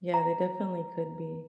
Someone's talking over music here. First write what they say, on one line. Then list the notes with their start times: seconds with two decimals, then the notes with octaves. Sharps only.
Yeah, they definitely could be.
0.14 A#5